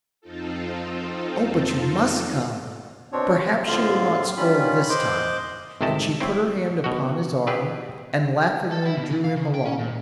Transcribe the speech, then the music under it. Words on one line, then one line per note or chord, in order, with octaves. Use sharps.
"Oh, but you must come; perhaps she will not scold this time," and she put her hand upon his arm, and laughingly drew him along.
F2 C4 D#4 F4 A4
B2 C4 D4 C#5
C3
F2 A2 D3 F4 F5
D#3 G3 C#4 F4 B5
C5 D#5 C6 D6 F#6
G#1 C3 A3 E4 D#5 A5
F#3 C4 E4
B2 F#4
C4 D4 E4 G4 G#4 B4
A4
E4
B2
E3
F5
C#3
G5
C#4
A#2